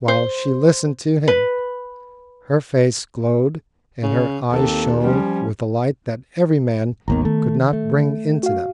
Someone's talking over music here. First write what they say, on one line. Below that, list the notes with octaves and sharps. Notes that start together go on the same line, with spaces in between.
While she listened to him, her face glowed and her eyes shone with a light that every man could not bring into them.
C5
B4
C#3
D#2 A#3 C4 A4
F3 G3 C#4
G#1 D#2 D#3 B3 A#5
D#3 A3
A3
F#4 F5